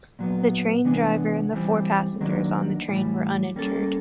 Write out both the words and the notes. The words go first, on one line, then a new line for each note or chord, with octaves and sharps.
The train driver and the four passengers on the train were uninjured.
A#2 F#3 B3
C3 E3 G#3 B3 D4
E3 G3 C4
D#3 F#3 A#3 D4
A2 E3 G3
G3 A#3 C#4 F#4 A4